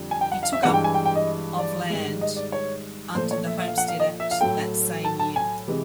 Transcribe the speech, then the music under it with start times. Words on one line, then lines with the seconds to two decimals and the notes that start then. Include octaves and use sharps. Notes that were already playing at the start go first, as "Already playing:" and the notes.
He took up of land under the homestead act that same year.
Already playing: F2 D3 G3
0.11 G#5
0.21 G5
0.32 F#5
0.43 F5
0.53 E5
0.63 G2 E3 G#3 F#5
0.74 G5
0.84 G#5
0.95 G5
1.05 G5
1.15 D#5
1.58 D5
1.90 G#2 D#3 G3
2.21 D#5
2.37 D5
2.52 C#5
3.15 A#2 F3 A3 C5
3.31 C#5
3.47 E5
3.58 E5
3.68 F5
3.78 F#5
3.88 F5
4.00 D#5
4.20 E5
4.31 F5
4.41 A2 F#3 A3 G5
5.05 A5
5.20 A5
5.36 G#5
5.67 C3 E3 G#3